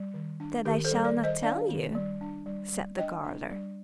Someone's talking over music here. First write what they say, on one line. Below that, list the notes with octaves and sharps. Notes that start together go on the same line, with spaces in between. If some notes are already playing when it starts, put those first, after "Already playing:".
"That I shall not tell you!" said the garter.
Already playing: G3
D#3
D4
D#3 G4 A#4
A4 C5
G3
A#4 D5
D#3
C5 D#5
D4 D5 F5
D#3
G3
D4
G3
G3
D4 D#5 G5
D4
G3